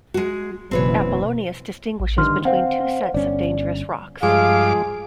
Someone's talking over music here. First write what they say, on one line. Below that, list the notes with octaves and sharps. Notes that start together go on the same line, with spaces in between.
Apollonius distinguishes between two sets of dangerous rocks.
G#3 F#4
F#1 B2 E3 C4 B4 C#5
A1
G2 D3 D#3 C6 F6
C4 C5 F5 F#5
G1 C#4 D5
G2 F3 G#3 G#4 F5 D6